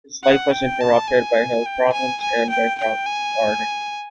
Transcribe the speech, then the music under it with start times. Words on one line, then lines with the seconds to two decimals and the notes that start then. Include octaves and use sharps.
His life was interrupted by health problems, and by travels to art exhibitions.
0.23 F#5
0.51 G5
0.81 A5
1.08 G#5
1.66 G5
1.93 G#5
2.21 G#5
2.50 G5
2.79 G5
3.06 G#5